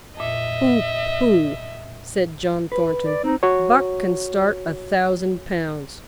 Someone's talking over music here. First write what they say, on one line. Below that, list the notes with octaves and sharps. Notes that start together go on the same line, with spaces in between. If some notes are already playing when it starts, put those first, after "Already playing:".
"Pooh! pooh!" said John Thornton; "Buck can start a thousand pounds."
F2 A#2 D#5 E5
B4
D5
C4 D#4
F#4 C#5